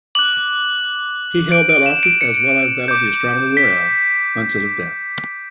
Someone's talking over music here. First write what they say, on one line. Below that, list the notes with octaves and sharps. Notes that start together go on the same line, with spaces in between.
He held that office, as well as that of Astronomer Royal, until his death.
D6 F#6 F#7
D6 G6 D7
D7
E7
D7
C#7
D6 G6
B6